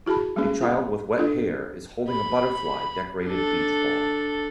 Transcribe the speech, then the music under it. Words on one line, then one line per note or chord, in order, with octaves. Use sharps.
A child with wet hair is holding a butterfly decorated beach ball.
E4 F#4 G#4 A5 B5
G3 G#3 A#3 C#4 G#4
F4 F5 F#5
D4 F4 A4
B5
D4 A4